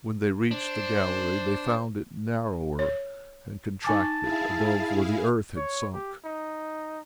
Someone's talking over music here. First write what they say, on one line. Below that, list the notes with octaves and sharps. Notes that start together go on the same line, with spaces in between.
When they reached the gallery they found it narrower and contracted above where the earth had sunk.
D4 C5
C#5
D#4 G#5 A5 D6
E4 G#4 F5
C#5
G4
D#4